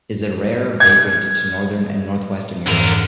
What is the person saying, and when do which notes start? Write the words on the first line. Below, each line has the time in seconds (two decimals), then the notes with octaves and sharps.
It is a rare vagrant to northern and north-western Europe.
0.80 G#6
2.66 F2 G#2 D3 E3 A#4